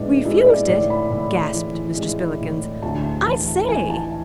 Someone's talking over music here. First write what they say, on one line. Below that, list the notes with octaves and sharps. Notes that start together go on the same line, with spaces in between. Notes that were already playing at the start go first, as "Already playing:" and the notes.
"Refused it," gasped Mr. Spillikins, "I say!"
Already playing: A2 G#3 D4 B4
G#3 E4
D5
A2 D5
B5
A2
E3
G#3
A2
D2 A5
E3 A5
E3 G#5
A5